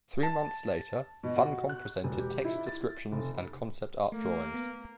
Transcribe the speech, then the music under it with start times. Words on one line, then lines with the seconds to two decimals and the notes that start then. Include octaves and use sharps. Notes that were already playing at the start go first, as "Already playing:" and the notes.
Three months later, Funcom presented text descriptions and concept art drawings.
0.23 A5
1.23 B2
1.36 F#4
1.69 F#6
2.04 E1
2.19 G4
2.45 E4
2.67 A6
3.12 F1
4.12 A3 A#3
4.54 B3